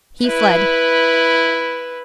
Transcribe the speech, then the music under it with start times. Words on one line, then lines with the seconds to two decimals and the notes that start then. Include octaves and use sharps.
He fled.
0.23 E4 B4